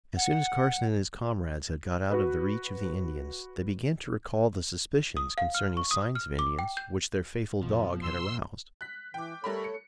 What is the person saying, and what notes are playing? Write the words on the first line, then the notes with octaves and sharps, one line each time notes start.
As soon as Carson and his comrades had got out of the reach of the Indians they began to recall the suspicions concerning signs of Indians which their faithful dog had aroused.
F#5
F#4 B4
D#6
F5
F6
C#6
D#6
F6
D6
G5
G6
F2 B2 F3
C6 E6
F#6 B6
E3 G5 D6
G3 A3 A4 A#4 C#5 B5
C#7